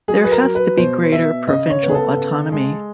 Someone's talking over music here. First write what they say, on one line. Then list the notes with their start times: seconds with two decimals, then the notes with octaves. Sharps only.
There has to be greater provincial autonomy.
0.08 F#3 G#4
0.24 B4
0.32 A#4
0.43 F#3
0.55 B4
0.77 B2 C5
1.12 B2 E5
1.47 C#3 D#5
1.70 C#5
1.83 B3
1.90 G#4
1.94 A4
2.17 C#3
2.52 G#3